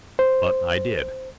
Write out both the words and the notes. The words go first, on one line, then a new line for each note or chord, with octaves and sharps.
But I did.
C5